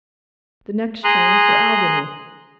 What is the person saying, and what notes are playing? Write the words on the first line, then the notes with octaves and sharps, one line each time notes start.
"The next train for Albany."
G#4 A#5 C6 D#6 F#6